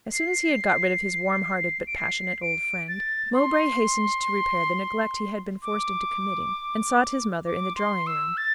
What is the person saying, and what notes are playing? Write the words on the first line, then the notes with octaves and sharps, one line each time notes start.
As soon as he had got rid of his warm-hearted but passionate old friend, Mowbray hastened to repair the neglect he had been forced into committing, and sought his mother in the drawing-room.
C7
D7
C7
D7
A6
C6
D6
D6
C6
E6
A6